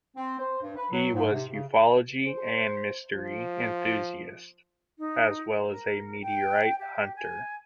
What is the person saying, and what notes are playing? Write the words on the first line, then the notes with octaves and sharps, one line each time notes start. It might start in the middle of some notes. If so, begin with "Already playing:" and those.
He was ufology and mystery enthusiast, as well as meteorite hunter.
C4
C5
G2
B4
F#3
G#2
C3
C#3
C5
F3
D#4
A#4
G5
G4
G#5